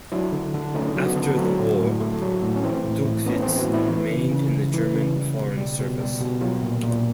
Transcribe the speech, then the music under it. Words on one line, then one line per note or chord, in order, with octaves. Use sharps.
After the war, Duckwitz remained in the German foreign service.
F#3 D4 E4
D3
D3
A3 C#4 D#4
F#3
B3
D3
F#3 C4
A2
A2
A3
F#3
A2
C#4
E3 C4
A2
A2
A3 B3 C#4
C4
E3
E4 F#4
A2
D4 E4
E3
C#3
C#3
G#3
E3
C#3
G3
B2
G3
B2
G3
B2
F#3 F4 G4
A#2
A#2